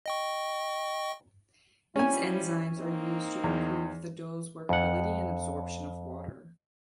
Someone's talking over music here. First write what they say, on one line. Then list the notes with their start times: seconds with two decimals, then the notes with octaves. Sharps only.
These enzymes are used to improve the dough's workability and absorption of water.
0.06 D#5 G5 C#6
1.96 F3 G3 C#4 E4 G#5
2.78 A#3 C4 D#4
3.44 E2
4.69 F2 F#5